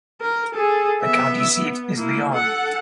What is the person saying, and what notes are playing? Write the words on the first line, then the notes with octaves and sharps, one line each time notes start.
The county seat is Leon.
A#4
G#4 A4
B3 E5
B3
A#3 E4
A4 F#5